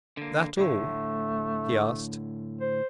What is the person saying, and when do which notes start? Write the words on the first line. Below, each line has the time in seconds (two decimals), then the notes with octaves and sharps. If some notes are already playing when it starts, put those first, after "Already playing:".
"That all?" he asked.
0.17 D3 A#3
0.58 A2 D3 A3
2.61 C5